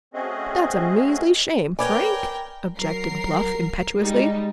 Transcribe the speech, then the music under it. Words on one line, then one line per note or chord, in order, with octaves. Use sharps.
"That's a measly shame, Frank!" objected Bluff impetuously.
A3 C4 C#4 F#4 G#4 D#5
A#4 B4 C#5 D5 G5 G#5 B5 D6
F#3 A#4 C7
G3 G#3 D#4